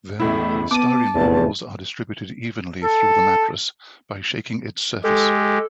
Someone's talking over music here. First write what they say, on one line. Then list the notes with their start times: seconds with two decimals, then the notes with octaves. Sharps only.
Then, the polystyrene balls are distributed evenly through the mattress by shaking its surface.
0.20 A1 E2 A2 E4 B5
0.71 B3 A5 D6 D#7
1.14 F1 E2
2.84 A4
5.04 G#3 G4 A4